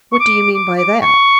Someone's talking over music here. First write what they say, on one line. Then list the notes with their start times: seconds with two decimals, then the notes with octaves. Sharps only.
"What do you mean by that?"
0.12 C#6
0.19 D6
0.54 D6
0.77 D6
1.01 C#6